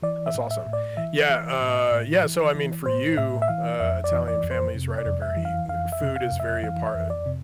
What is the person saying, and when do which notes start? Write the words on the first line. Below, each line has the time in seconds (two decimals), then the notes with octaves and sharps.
That's awesome. Yeah, uh, yeah so, I mean, for you, uh, Italian families, right? Are very food is very a part
0.02 E3 D5
0.26 E5
0.35 A2
0.51 E5
0.66 A2
0.73 D5
0.97 E3 E5
1.29 E3
1.60 A2
1.91 A2
2.24 E3
2.55 E3
2.86 A2 C5
3.17 A2 E5
3.42 E5
3.48 E3 F5
3.80 F2 E5
4.04 D5
4.12 E3
4.28 D5
4.43 F2
4.51 C5
4.75 C3
4.98 D5
5.06 F2
5.22 E5
5.37 E3
5.45 F5
5.68 F2 F5
5.92 E5
6.01 C3
6.16 F5
6.32 F2
6.40 E5
6.63 E3 F5
6.87 E5
6.94 F2
7.10 D5
7.26 C3